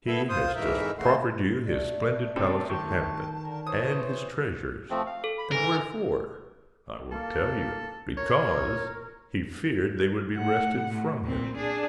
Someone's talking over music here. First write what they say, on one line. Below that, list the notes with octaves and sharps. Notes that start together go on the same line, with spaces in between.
He has just proffered you his splendid palace of Hampton, and his treasures; and wherefore?--I will tell you: because he feared they would be wrested from him.
B3 E4 A4
F4 C5 D#6
F2 G#2 D#3 E3 A#4 E5
A#2 C#3 E3 A3 F#4 C6
A3 D5
C3 D4 A4
D#3 G5 A5 C#6
D3 A#4
E3 C5 C#5 D#6
F3 A3 C4
F5
A4
B5
G#2 E3 A#4
A#3 A4
A#4 C#5
A2 F#5
A2
A#2 C4
D4 G#4